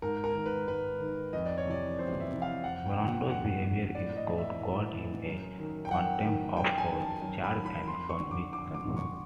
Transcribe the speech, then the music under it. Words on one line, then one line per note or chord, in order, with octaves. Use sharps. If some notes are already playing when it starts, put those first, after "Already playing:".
Brando's behavior in court got him a contempt of court charge and conviction.
G#2 A#4
A#4
D#3
B4
G#2 B4
D#3
F2 D#5
D5
C#5
C3 E3 D5
F2 C5
E5
C3 E3
F5
F2 F#5
G5
D3
F#5
F2 F#5
D3
A2 D5
D#5
E3
E5
A2
E3
F#2
D#3
G5
F#2 F#5
D#3
F#2 G5
G#5
D#3
A5
F#2
B5
D#3
B5
F2 C6
C#6
D3
D6
F2 D6
D6
D3
C#6